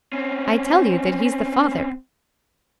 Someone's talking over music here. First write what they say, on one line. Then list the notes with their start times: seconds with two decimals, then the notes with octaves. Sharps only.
"I tell you that he's the father."
0.13 C4 C#4